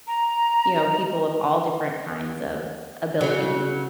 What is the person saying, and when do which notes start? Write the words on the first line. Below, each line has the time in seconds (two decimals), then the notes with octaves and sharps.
you know, people of all different kinds of abilities.
0.07 A#5
3.21 C#3 F#3